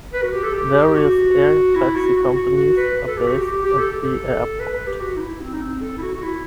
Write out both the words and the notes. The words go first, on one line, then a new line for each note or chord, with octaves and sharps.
Various air taxi companies are based at the airport.
B4
F#4
G4
A4
G4
G4
G4
F#4
E4
F#4
F#4
F#4
F#4
B4
B4
A4
G4
F#4
G4
G4
G4
A4
G4
A4
B4
B4
G4
F#4
D#4
E4
C4
D#4
C4
A4
E4
F#4
F#4
E4